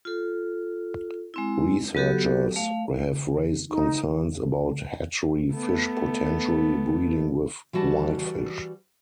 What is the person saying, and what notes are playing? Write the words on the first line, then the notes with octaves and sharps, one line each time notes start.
Researchers have raised concerns about hatchery fish potentially breeding with wild fish.
F4 A4
G#3 C4 E4
F#3 B3 F#4 G4 A4
A3 F5
D#4
A3 B3
E3 G3 F#4 G5 A5